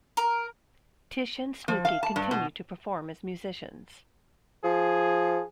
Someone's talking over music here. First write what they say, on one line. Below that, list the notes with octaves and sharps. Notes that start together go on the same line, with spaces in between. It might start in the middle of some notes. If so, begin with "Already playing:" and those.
Tish and Snooky continue to perform as musicians.
A#4
F3
F5
A5
G2
B2
F3 G#4